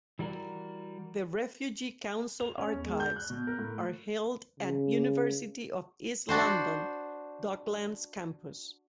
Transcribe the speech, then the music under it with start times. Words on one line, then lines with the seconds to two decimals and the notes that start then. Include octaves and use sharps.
The Refugee Council Archives are held at University of East London, Docklands Campus.
0.19 E3 G3 F#4 A#4
2.40 F7
2.58 C#4
2.73 E2
2.86 G#3
3.00 G6
3.16 F#6
3.30 B2
3.47 A#4
3.59 A2
4.60 C#3
6.29 D4 F#4 C5